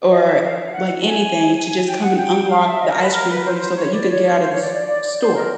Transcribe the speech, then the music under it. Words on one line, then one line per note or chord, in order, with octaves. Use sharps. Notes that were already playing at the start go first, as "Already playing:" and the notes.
or, like, anything to just come and unlock the ice cream for you so that you can get out of the s store.
D#5
E5
F5
F5
F#5
G#5
G5
F#5
G5
F5
E5
D#5
A#4
B4
A#4
B4
C5
C#5
D5
C#5
C#5
C5
C#5
D5
D5
D5
D5
C5
A#4